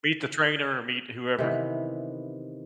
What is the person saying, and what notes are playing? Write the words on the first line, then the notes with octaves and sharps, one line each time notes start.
Meet the trainer or meet whoever.
C3 D#3 E3 B3